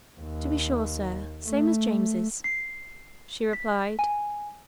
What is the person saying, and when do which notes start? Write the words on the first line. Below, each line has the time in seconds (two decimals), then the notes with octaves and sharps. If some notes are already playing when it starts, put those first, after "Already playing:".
"To be sure, sir--same as James's," she replied.
0.20 D#2
1.46 A3
2.44 C7
3.53 B6
3.99 G#5